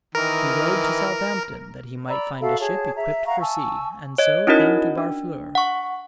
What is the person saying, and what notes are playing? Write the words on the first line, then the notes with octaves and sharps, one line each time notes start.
He rode to Southampton, that he might find a ship equipped for sea, and so came to Barfleur.
D#3 E3 A#4
D5 A#5 B5 E6
F#4 A4 E5 F5
G#4 C#5 A5
E5 A#5
F5 F#5 A#5 C#6
G#5 A5 C#6 E6
C#5 D#5
C#4 D#4 E4 F#4 A#4 D#5
D4
F#5 C#6